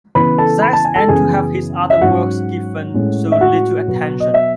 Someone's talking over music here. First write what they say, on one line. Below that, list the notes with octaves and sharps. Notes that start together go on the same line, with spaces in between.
Sex and to have his other works given so little attention.
C#3 E3 B3 B4 B5
A4 A5
B5
A5
G#5
A4 A5
F#2 C#3 E3 B3 G#4 G#5
E5
G#2 F#3 C#4 F#4 F#5
A2 G#3 C#4
E5
F#4 F#5
B2 F#3 B3
D#5
E5